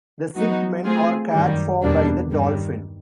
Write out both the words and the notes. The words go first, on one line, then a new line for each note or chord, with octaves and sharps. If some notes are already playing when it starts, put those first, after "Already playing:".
The sick men are cared for by the "Dolphin".
F#3 B3 D#4 F#4
A3 C4 F4 G#4
F#2 D#3 G3
E2 B2 G3 A#3 D4
G2 D#3 G3